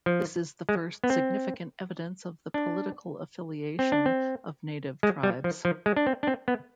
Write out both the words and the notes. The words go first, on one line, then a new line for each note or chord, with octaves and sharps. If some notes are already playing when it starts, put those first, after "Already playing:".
This is the first significant evidence of the political affiliation of native tribes.
F3
G#3
B3
C4
D4
C4
D4
C4
G#3
G3
F3
F3
G#3
D4
C4
D4
C4
B3